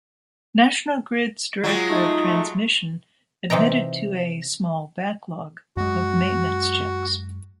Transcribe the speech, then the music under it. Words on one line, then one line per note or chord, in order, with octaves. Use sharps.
National Grid's Director Of Transmission admitted to a "small backlog" of maintenance checks.
F#3 G#3 F4
A3 D#4
A3
C3 E3 D#4 G5 A#5
F#2 G#3 F#4